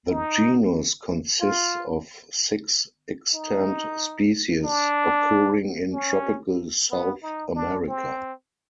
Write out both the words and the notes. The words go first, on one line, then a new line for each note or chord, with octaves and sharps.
The genus consists of six extant species occurring in tropical South America.
D#4
F4
D#4
D4
C#4
B3
D#4
D4
C4